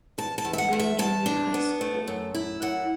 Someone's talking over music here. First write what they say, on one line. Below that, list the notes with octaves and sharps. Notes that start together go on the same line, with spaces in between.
Green Junior High School.
E2 A5
A5
E2
E5
F#5
E2
E5
E2 A5
D4
B3
A3
F#2
E4
F#2 F#5